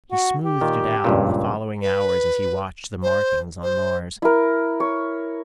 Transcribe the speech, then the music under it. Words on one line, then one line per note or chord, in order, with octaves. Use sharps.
He smoothed it out in the following hours as he watched the markings on Mars.
F#4
G4
A#2 D#3
C#2 G2 A#2
B4
C5
C5
E4 A#4
C#5